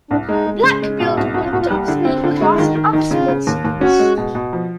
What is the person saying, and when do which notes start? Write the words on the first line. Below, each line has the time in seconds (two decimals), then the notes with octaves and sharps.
Black-billed wood doves eat grass and other small seeds.
0.11 C2 D4
0.29 G#3 D#4
0.47 G#3
0.64 C#3
0.82 G#3
0.99 B2 F4
1.17 C2 F#4
1.34 C2 F#4
1.43 F4
1.53 C2 F#4
1.61 F4
1.70 G3 D#4
1.87 D3 E4
2.00 F4
2.05 C4 E4
2.23 D3 F4
2.41 G#3 F#4
2.53 E4
2.58 D#3 F4
2.75 D#3
2.93 D#3 D#4
3.11 C#3 F4
3.28 C#3
3.47 D#2
3.65 D#2
3.81 C#4 F#4
3.99 G#3
4.17 B2
4.35 B2
4.53 F3